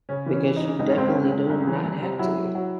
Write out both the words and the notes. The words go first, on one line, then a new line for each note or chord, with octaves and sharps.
because you definitely do not have to.
C#3 C#4
E3
C#4
E3
D#4
C#3
C#2 D#4
C#4
C#2 C4
C#4
C#2
C#2
C2
E3
C2
C3
F#3 E4
F#3
F#3